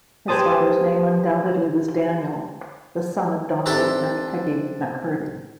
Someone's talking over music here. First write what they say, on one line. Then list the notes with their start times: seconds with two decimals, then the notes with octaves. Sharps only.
His father's name undoubtedly was Daniel, the son of Donald and Peggy Mackirdy.
0.28 G4 G#4 B4 C5 A5 D#6
3.66 C4 D4 E4 G4 A4